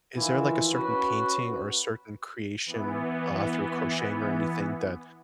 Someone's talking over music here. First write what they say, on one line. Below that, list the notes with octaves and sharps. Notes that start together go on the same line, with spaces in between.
is there, like, a certain painting or a certain creation, uh, through crocheting or anything that
D#3 E3 F4
C#4 F#4 B4
E3 B3